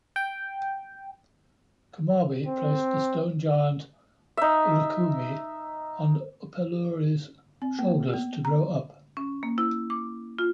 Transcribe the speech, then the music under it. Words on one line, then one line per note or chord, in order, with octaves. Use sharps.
Kumarbi placed the stone giant Ullikummi on Upelluri's shoulders to grow up.
G5
C4
D#4 E5
C4
A#3
B3
A#5
C#4
A#3
E4
D6
F4